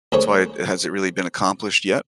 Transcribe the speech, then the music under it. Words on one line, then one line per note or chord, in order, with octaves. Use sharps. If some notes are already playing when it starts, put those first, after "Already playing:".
it's why has it really been accomplished yet?
D2 A#3 G#4 C5 C#5 C#6